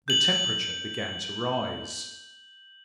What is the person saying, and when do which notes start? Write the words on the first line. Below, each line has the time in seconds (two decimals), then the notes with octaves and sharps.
The temperature began to rise.
0.08 G6 F#7